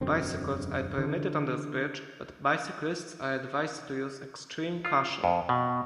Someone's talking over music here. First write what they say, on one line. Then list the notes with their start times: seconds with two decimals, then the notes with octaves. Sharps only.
Bicycles are permitted on this bridge, but bicyclists are advised to use extreme caution.
0.01 E1 F#2 D3 C4
0.98 D3 E3
4.85 F4
5.24 F2
5.49 B2